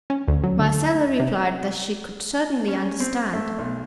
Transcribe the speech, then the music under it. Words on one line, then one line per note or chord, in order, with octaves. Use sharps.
Marcella replied that she could certainly understand.
C#4
D2
F#3
D3
C3
C#4
C4
A3
B1